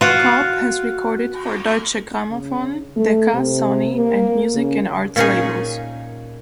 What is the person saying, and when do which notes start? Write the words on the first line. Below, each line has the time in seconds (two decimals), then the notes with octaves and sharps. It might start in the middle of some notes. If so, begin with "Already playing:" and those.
Cobb has recorded for Deutsche Grammophon, Decca, Sony, and Music and Arts labels.
0.01 F4 F#4
2.31 C#3
2.96 A3
3.33 C3
3.96 A#3
4.55 C#3
5.16 A#2 C#4 D#4 G#4